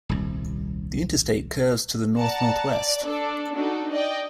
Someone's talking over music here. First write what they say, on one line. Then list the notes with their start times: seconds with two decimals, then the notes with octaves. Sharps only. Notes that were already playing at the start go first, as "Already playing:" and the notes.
The interstate curves to the north-northwest.
0.09 D#1 C2
2.17 D5 F#5 A5 A#5
2.67 D5
3.04 D4 A4
3.56 D4 D#4 F#4 A4
3.91 D5 D#5 G5